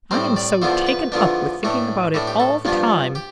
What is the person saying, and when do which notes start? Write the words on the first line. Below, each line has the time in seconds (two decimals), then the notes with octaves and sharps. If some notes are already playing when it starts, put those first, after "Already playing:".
I am so taken up with thinking about it all the time.
0.11 A2 G3 C4 C5
0.36 D5
0.62 E2 D3 F3 B3 D4 C5
0.87 B4
1.12 E2 D3 F3 B3 D4
1.63 A2 E3 A3 D4
2.14 A2 E3 A3 D4
2.27 G4
2.40 A4
2.65 G2 F3 B3 D4
3.15 G4